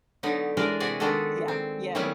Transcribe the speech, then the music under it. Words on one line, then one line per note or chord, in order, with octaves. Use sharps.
Yeah. Yeah.
D3 F#3 B3 D#4
E3 G#3 D4 G#4 A#4 D5
C3 F#4 G#4 D5 G#5
D#3 G#3 B3 D4 F#4 A4
C4
D#3 F#3 G3 B3 C#4 E4